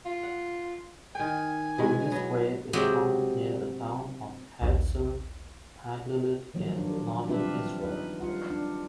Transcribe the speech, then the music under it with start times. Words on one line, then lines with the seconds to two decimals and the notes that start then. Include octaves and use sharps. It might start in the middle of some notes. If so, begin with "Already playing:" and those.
Honi's grave is found near the town of Hatzor HaGlilit in northern Israel.
0.05 F4
0.23 F#5
1.15 D#3 G5 G#5
1.78 B2 E3 G#3
2.11 F#3 B3
2.73 C3 F#3 G#3 C4 F#4 G4
4.61 A#1 D#2
6.54 D#3 F3 F#3 A#3
6.78 D4
7.27 G3 C4 D4 F4 B4 E5
7.82 D#4 B4
8.20 G3 F4 F#5
8.50 D4